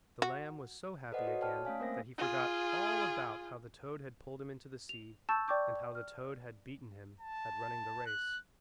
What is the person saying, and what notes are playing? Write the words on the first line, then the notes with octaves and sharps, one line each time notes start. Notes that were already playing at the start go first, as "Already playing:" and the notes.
The lamb was so happy again that he forgot all about how the toad had pulled him into the sea, and how the toad had beaten him at running the race.
F#4
A4 B4 C5 D5 D#5 F#5
F#4 A4 C#5
C#5 D5 G5 A5 F6
A3 C#4 F5 G#5
A#3 C4 A#4 C5 G5 A#6
F4 G#4
F7
A5 C#6 E6 G6 A6
D5 G5 C#6 D6 G6
F6
A5
F#6